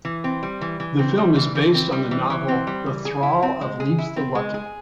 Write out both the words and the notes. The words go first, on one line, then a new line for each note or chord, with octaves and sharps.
The film is based on the novel "The Thrall of Leif the Lucky".
E3
C4
G3
E3
E3
C4
G3
E3
E3
C4
G3
E3
E3
C4
G3
E3
G#4
E4
C4
G#3
G#4
E4
C4
G#3
G#4